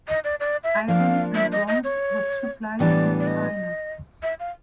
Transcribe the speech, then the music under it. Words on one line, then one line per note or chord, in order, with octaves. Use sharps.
Iron and bronze was supplied from China.
D#5
D5
D5
E5
F3 A#3 D4 F5
E5
D#5
D#5
C#5
A2 E3 G3 B3 D4 D5
D5
D#5
E5
F5